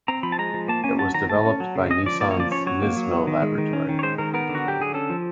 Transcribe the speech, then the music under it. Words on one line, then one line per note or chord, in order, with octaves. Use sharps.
It was developed by Nissan's Nismo laboratory.
C4 A#5
F3 B5
A5
G#3 A#5
F3
A#3 A5
C#4 G#5
F#3 A5
D#3 A#5
A3 A5
C#4
F#3
C#3
C#4 D#5
F3 D5
A#3 D5
C#5
F3 D5
C#4 C#5
F#3 C#5
A#3
F#3
B3
D#3
G#3
D#3
C#4
D#3
C#5
G#3 C5
D#3 A#4
B3 A#4
D3
F#4
F#3 G4
D3 G#4
C#4 A4
F3